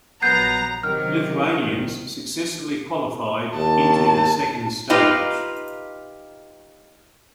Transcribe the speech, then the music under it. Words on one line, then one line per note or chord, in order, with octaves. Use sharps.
Lithuanians successfully qualified into the second stage.
A#1 F#3 B3 A#5 G6 C7
C3 D#3 F#3 F6
C2
D#2 A5
D#4 F4 G4 B4 D#5 F5